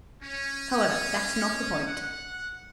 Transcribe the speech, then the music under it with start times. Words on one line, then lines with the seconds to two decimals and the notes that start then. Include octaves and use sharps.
However, that's not the point.
0.22 C#4
1.86 F#5